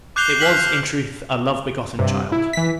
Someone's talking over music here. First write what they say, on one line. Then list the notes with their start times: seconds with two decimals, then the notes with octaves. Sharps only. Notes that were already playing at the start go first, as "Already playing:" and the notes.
It was, in truth, a love-begotten child!
0.16 D6 F#6 G6 C7 F7 G7
0.40 F6 B6 C7 F#7
1.99 G2 C3
2.32 E4
2.53 E3 B6